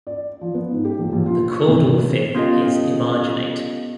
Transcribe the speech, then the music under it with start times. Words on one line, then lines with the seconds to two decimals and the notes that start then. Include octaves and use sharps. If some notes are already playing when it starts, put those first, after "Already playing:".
The caudal fin is emarginate.
0.07 D5
0.41 F3
0.54 B3
0.71 G#2
0.85 G4
0.99 A#1
1.13 A#1
1.26 F4
1.51 C#6
1.68 C3
1.84 A1
2.35 B3 C#4 F4 G4 A4 D#5